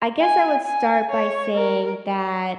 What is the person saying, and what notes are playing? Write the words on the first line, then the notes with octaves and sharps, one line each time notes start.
I guess I would start by saying that
G#5
G#5
C#5
A#4